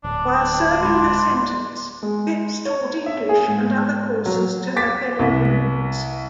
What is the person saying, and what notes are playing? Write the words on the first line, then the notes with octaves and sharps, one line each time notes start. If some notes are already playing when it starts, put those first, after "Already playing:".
While serving her sentence, Phipps taught English and other courses to her fellow inmates.
D1 D4
G#2 B5 C6
G#3
C#5
E5
G#4
G#2
F#3
D6 A6 B6
C2